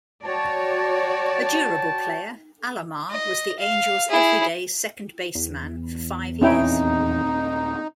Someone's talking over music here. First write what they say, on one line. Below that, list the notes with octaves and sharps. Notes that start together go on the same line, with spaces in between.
A durable player, Alomar was the Angels' everyday second baseman for five years.
F#4 C#5 D5 G5 A5
D#5
F5
E4 G#4
E2
D#1 C4 C#4 D#4 E4 G5